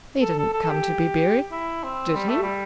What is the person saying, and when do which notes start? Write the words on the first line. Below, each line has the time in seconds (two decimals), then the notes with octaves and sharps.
"He didn't come to be buried;--did he?"
0.21 A4
0.38 A4
0.53 A4
0.63 A4
0.70 G4
1.51 E4
1.84 C4
2.15 G3
2.29 A3
2.42 G3